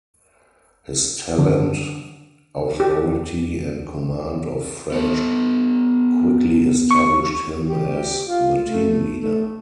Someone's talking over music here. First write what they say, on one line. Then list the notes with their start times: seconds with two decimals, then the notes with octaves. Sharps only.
His talent, authority, and command of French quickly established him as the team leader.
1.38 D3
2.80 G4
4.92 B3 A4
6.91 C#6
7.67 G4
8.24 F4
8.63 A3
9.17 A3